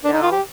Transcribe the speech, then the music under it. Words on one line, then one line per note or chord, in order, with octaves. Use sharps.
you know?
D4
D#4
F4
G4